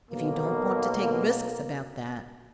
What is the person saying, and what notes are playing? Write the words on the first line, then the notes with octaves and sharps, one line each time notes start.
If you don't want to take risks about that--...
B1 B2 A#3